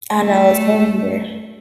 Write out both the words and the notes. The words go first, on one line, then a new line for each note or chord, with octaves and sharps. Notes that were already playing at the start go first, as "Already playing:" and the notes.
I know it's some in there.
A3